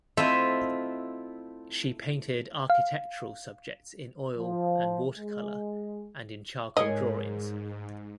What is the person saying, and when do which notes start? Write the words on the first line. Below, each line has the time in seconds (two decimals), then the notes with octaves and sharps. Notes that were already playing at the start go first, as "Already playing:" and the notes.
She painted architectural subjects in oil and watercolour and in charcoal drawings.
0.17 A3 C4 E4 F4 D#5 E5
2.70 F5
4.37 F3
5.16 G#3
6.77 G#2 G#4 A#4 C#5 D#5